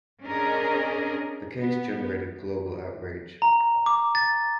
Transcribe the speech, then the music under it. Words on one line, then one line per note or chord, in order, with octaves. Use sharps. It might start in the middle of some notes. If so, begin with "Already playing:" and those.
The case generated global outrage.
C#4 D4 G#4 A#4 D#5
B3
A#5
D6
A6